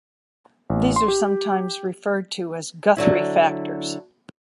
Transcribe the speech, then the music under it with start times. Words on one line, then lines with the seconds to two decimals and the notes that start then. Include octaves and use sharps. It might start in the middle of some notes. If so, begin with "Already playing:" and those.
These are sometimes referred to as "Guthrie factors".
0.70 A1
0.96 C6
1.08 G4
2.97 D3 F#3 E4